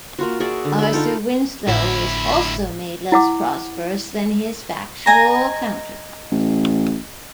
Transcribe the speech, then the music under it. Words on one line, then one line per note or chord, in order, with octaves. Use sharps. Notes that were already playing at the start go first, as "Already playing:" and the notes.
Arthur Winslow was also made less prosperous than his factual counterpart.
A#3 F4 F#4
F#4 G#4 D5 E5
D3
E5 B5
D#4 F4 A4 G5
G#1 D2 A2 E4
E4 F#5 D6
D#5 G#5 A#5
A1